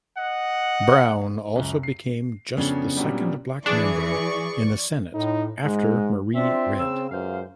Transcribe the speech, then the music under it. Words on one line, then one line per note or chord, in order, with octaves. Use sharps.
Brown also became just the second Black member in the Senate after Marie Redd.
D#5 F#5
C#2 F#2
C7
F2 C#3 B3 C#4 D4
A#2 F#3 G3
E3 D4 G#4 D5 C#6
A2 D#4
G#2 G#3
C4 D4 F4 E5
C#3 E6
C#2 F#2 C5 F5